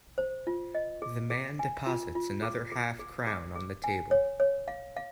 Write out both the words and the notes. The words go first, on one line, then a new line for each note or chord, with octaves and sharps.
The man deposits another half-crown on the table.
C5
F4
D#5
G#4
G#4
G#5
F4
F4
G#4
G#4
G#4
G#4
G#4
G#5
C#5
C#5
F5
F5